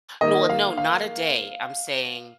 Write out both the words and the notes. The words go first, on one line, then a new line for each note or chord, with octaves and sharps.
No a no not a day, I'm saying
D#3 A#3 D#5
F5
F5